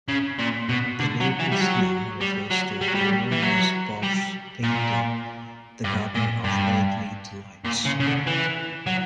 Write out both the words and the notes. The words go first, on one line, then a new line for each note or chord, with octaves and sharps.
The label's name refers to Hieronymous Bosch's painting The Garden of Earthly Delights.
C#3
A#2
B2
D3
F#3
E3
G3
F#3
G3
F#3
G3
F#3
G3
E3
F#3
G3
A#2
G2
A#2
G2
A#2
C#3
C#3
D3
E3
F#3